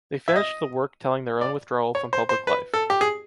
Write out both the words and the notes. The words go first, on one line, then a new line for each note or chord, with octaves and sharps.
They finished the work telling their own withdrawal from public life.
E5
D#5
D5
C#5
C5
C5
B4
A4
G4
G#4